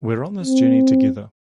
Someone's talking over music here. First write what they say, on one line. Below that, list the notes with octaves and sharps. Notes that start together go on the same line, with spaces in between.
We're on this journey together.
C4